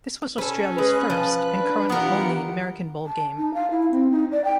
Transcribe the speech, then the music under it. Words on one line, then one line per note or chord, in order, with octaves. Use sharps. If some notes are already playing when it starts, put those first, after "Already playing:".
This was Australia's first, and currently only, American Bowl game.
C#4 A4 B4
G#3 B4 F#6
F3
D4
E3 B3 F4 G4 A#4 F#5 C#7
A5
D#4
F5
E4
C4
D#4
D5
G5